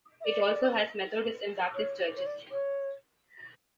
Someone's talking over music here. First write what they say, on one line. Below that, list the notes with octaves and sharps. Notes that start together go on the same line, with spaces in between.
It also has Methodist and Baptist churches.
E5
D5
C#5
C#5
D5
C#5